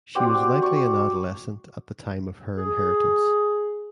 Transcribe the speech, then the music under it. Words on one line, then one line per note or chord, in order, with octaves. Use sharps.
She was likely an adolescent at the time of her inheritance.
C4 F#4 G4 D5
D5 C#6
G#4